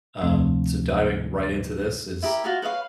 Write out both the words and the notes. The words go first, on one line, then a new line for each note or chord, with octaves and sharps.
um, so diving right into this is,
D2 C3 F3 A3 C4
E4 G4 A#4
F4 F#4 F5 G#5
B4 C#5 D#5 F5